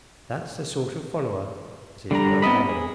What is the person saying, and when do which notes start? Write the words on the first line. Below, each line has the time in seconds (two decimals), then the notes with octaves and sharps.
That's the sort of follower that is worth having!
2.11 D3 G3 D4 A#5
2.42 B3 C4 E4 D#5 B5
2.69 G#4